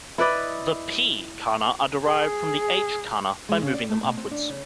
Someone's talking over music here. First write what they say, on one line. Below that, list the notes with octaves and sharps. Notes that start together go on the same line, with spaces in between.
The "p" "kana" are derived from the "h" kana by moving them upwards.
E4 B4 D5 D#5
G#4
G#3
C#3
D5
A3
B2
C4
D4
C#3